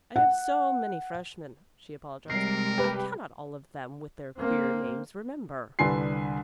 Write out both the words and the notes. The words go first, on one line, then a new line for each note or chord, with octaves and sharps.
"I have so many freshmen," she apologized, "I cannot all of them with their queer names remember."
F#5
C3 G3 G#3 A#4 C7
G4 B4
A#3 C4
C2 D3 B4 G#5 C6 C7